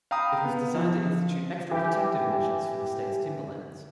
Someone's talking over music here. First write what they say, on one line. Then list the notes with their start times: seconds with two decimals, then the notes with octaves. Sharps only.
It was designed to institute extra protective measures for the state's timberlands.
0.11 F5 G5 A#5 B5 D#6
0.45 B3
0.75 F3
1.71 E3 G4